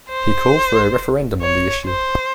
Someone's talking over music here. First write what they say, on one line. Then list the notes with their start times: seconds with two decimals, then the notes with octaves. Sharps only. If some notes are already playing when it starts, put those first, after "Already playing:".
He called for a referendum on the issue.
0.09 C5
1.41 C#5
1.86 C5